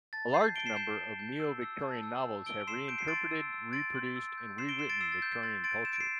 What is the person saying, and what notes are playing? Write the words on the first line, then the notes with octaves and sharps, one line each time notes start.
A large number of neo-Victorian novels have reinterpreted, reproduced and rewritten Victorian culture.
A5 A6
A5 G6 C7
A5 D7 G7
C7 E7
G6 C7 E7
A5
G6
E6
E6
A5
E6
E6
E6 D7 G7
C6 C7 E7
G6 D7
C7
C6 A6 D7
E6
E6
C6 A6 D7
C6
E6
G6
C6 C7 E7
D7 G7
C6 C7 E7
A6 D7
E6 C7 E7
A6
G6
C6 A6
C6 A6 D7
G6 E7
D7
C7 E7